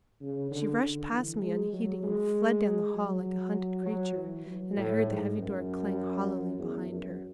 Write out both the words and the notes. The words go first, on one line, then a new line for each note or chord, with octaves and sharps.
She rushed past me unheeding, and fled down the hall like a hunted creature, and I heard the heavy door clang hollowly behind her.
C#3
D3
D3
E3
G#3
F#3
G#3
F#3
F#3
E3
F#3
A2
G#2
F#2
E2
F#2